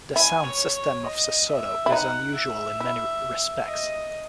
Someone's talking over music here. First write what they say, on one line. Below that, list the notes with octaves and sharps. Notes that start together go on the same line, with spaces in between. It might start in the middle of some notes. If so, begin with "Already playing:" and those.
The sound system of Sesotho is unusual in many respects.
E4 G#5
C#5
C#5
D#5
E5
E4
D#4 F#5
E5
E4
D#5